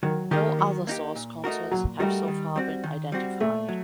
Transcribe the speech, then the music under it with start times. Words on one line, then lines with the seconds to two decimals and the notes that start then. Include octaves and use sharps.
No other source concerts have so far been identified.
0.03 D#3 F#3
0.31 D#3 A#3 D#4 G4
0.59 F#3
0.87 A#3 D#4 G4
1.16 A#2
1.44 A3 D#4 F#4 A#4
1.71 A#2 F#3
1.99 G3 A3 D#4 F#4 A#4
2.28 D#3
2.56 G3 C4 F#4
2.84 D#3
3.12 G3 C4 F#4
3.40 A#2 A3
3.69 F#3